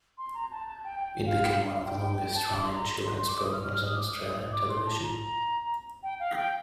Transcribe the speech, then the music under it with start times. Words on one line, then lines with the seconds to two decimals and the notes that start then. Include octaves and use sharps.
It became one of the longest running children's programs on Australian television.
0.18 C6
0.34 A#5
0.51 A5
0.68 A5
0.84 G5
1.01 G5
1.26 F5
1.45 G5
1.51 F5
1.68 F5
1.85 G5
2.01 G5
2.18 G5
2.35 A5
2.52 D6
2.64 C6
2.75 A#5
2.87 C6
3.17 C6
3.28 D6
3.40 D#6
3.53 F6
3.69 F6
3.86 D#6
3.95 D6
4.06 D#6
4.52 D6
4.69 C6
4.86 A5
5.03 A#5
6.03 G5
6.20 F5
6.36 G5